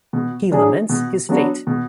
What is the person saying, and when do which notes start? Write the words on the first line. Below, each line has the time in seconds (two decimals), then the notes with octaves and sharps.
He laments his fate.
0.13 B2
0.52 F#3 D4 G#4
0.89 B2
1.29 F#3 B3 D4 F#4
1.67 B2